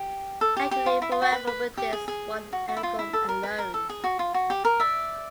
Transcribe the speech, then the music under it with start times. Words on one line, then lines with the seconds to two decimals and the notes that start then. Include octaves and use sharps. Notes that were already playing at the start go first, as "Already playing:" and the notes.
I could live forever with this one album alone.
Already playing: G4
0.41 A4
0.57 G4
0.71 G4
0.86 F4
1.02 E4
1.12 F4
1.22 F#4
1.32 B4
1.47 B4
1.78 G4
1.93 G#4
2.08 G#4
2.53 F#4
2.69 F#4
2.77 E4
2.83 F4
2.99 E4
3.13 A4
3.29 A#4
3.43 B4
3.59 A#4
3.74 A4
3.89 G#4
4.04 F#4
4.19 F4
4.34 F#4
4.50 G4
4.65 A#4
4.80 D5 E5